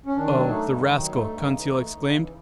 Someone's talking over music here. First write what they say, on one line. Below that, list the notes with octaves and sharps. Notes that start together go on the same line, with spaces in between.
"Oh, the rascal!" Conseil exclaimed.
C#4
D#3 D4
F#3
A3 D#4
G2
D#3
F#3
A3
G2
C#3
E3
A3
D2
C#3
E3